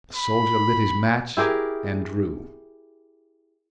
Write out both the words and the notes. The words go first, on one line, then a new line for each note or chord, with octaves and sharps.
The soldier lit his match, and drew.
B5
E4 G4 G#4 A#4